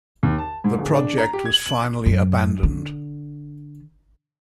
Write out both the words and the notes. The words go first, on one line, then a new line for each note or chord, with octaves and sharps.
The project was finally abandoned.
D#2
A5
G#2
D1
D4
A#5
G4
G#6
F#7
F#2
D3